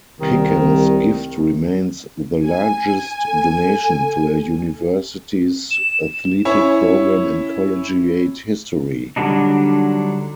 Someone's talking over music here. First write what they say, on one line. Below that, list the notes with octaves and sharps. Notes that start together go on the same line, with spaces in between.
Pickens' gift remains the largest donation to a university's athletic program in collegiate history.
C2 D#3
G#5
A4
E7
C#4 E4 C#5
D3 F#3 G3 D4 D#4